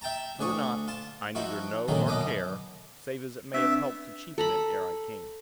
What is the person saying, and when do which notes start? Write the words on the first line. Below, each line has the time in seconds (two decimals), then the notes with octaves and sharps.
True or not, I neither know nor care, save as it may have helped to cheapen it, ere I came.
0.01 E5 G5 A5 A#5
0.39 D2 D4 G#4 C#6
0.88 F4 A5
1.35 F3 D#4 E4 F#4
1.88 A#2 D3 D#3 F#3 A#3
2.05 F#2 B2 B3 D#5 D6
3.54 C4 D4 B4 E5
4.38 A4 A#5 B5